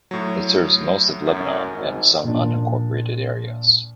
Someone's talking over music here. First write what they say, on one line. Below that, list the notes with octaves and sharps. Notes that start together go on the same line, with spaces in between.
It serves most of Lebanon and some unincorporated areas.
A2 F#3
F#2
G#1
A#2 F3 D4